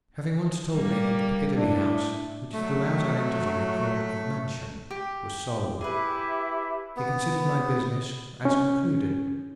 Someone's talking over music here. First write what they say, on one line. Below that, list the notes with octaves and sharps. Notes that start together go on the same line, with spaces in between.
Having once told me that the Piccadilly house--which throughout our interview he called a "mansion"--was sold, he considered my business as concluded.
G3 A#3
A2 D4
F#3 A3
G4
E4 G4 G#4 B4 E5 D6
B3
C#4